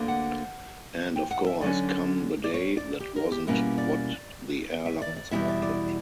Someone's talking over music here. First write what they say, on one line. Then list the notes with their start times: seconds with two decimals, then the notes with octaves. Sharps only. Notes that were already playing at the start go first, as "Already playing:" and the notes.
And, of course, come the day, that wasn't what the airlines wanted.
Already playing: D2 D3 A#3
0.08 F#5
1.16 G5
1.31 F#5
1.46 E5
1.61 D3 F#3 C#4 D5
2.44 D5
2.54 C#5
2.77 D5
3.00 G4
3.16 A#4
3.32 G4
3.47 B2 G3 A#3 C#4 E4 A#4
3.78 D5
4.86 E5
5.02 D5
5.16 D5
5.31 E2 B2 G3 C#4 E4 E5
5.48 D5
5.62 D5